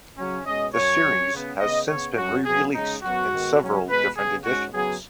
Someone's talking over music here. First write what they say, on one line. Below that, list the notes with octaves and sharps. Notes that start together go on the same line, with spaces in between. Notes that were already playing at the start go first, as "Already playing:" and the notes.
The series has since been re-released in several different editions.
C#3 F#3 C#4
B2 G#3 C#4 D#5
F#2 F#3 C#4 C#5
F#2 F#3 C#4
C#3 B3
C#3 B3 D#5
C#3 B3 C#5
F#2 F#3 C#4 F#4
C#3 F#3 B3 G#4
C#3 G#3 C#4 D#4
F#2 F#3 B3 F#4
G#2 D#3 B3
C#3 F#3 C#4
B2 G#3 B3 B4
C#3 B3 G#4
G#2 G#3 C#4 F#4
C#3 F#3 B3 G#4